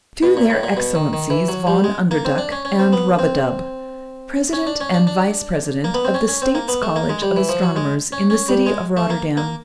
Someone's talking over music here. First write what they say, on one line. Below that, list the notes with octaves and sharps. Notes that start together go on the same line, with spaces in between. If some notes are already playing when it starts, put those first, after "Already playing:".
To their Excellencies Von Underduk and Rub-a-dub, President and Vice-President of the States' College of Astronomers, in the city of Rotterdam.
B2
A#2
A2
A#2
B2
D#3
D#3
E3
F#3
G3
G#3
A#3
C4
D4
C#4
C#4
C4
B3
C4
C#4
D4
C#4
D4
D4
A#3
B3
C4
C#4
C#4
C4
A#3
B3
A3
A#3
G#3
G3
E3
F3
F#3
G#3
C#4
C#4
G3
G#3
A3
A#3
A#3